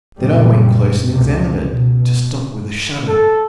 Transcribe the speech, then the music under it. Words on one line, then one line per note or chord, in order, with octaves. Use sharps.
Then I went close and examined it, to stop with a shudder.
F#1 A#2 C#3 G3
C#2 C3
B2
A4